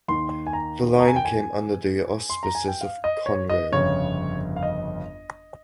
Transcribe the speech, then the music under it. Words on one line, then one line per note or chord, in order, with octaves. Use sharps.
The line came under the auspices of Conrail.
D#2 D#3 C6
G#5
A#5
A#5
G#5
G5
G#5
C6
A#5
G#5
G5
F5
D#5
C#5
D#5
G1 F2 C#3 C#5
F5
D#5